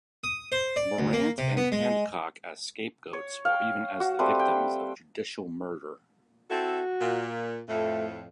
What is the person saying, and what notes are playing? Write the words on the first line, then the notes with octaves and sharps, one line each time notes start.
Morant and Handcock as scapegoats or even as the victims of judicial murder.
D#6
C5
D5
D2
A#3
C3
B3
G#3
C#5
F5 G5
F#4
G3 A3 C4 B4
G5
C4 E4 F#4 A4
A#2
F2 A2 A3